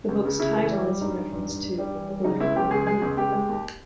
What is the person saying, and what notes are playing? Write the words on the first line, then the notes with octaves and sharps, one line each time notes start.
The book's title is a reference to "Black Like Me".
C#2
C#3
C#3 E4
E3
G3
G3
G2 D#4
E3
G2
G2
G2
G3
E3
G3
C#3 D#4
C#2 E4
C#2 G4
C#2 G#4
G#3 G#4
C#2
C#2 G4
G#3
D#2